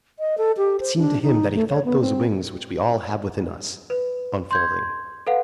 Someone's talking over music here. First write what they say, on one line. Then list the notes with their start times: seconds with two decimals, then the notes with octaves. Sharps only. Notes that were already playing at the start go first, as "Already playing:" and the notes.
It seemed to him that he felt those wings which we all have within us, unfolding.
0.19 D#5
0.38 A4
0.57 G4
0.80 C5
0.97 D4
1.23 D#4
1.55 A3
1.69 C#5
1.85 B3
2.01 C4
3.90 B4
4.51 C6 G6 G#6
5.27 A4 B4 F5 F#5